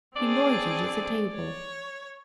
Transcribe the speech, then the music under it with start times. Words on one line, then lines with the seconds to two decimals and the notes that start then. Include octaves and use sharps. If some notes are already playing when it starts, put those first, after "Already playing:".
He loitered at the table.
0.16 C4 D4 G#4 D5
1.34 C#5